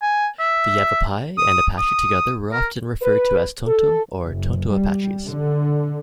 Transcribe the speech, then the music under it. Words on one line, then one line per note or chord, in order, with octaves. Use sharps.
The Yavapai and Apache together were often referred to as "Tonto" or "Tonto Apaches".
G#5
E5
D#6
D#6
A#4
B4
A4
F#1
G3
D3